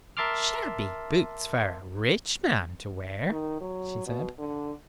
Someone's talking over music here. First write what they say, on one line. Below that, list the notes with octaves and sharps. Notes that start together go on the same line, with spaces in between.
"Shabby boots for a rich man to wear," she said.
A#4 E5 A5 C6 D6 F6
D#3
F#3
B2
D3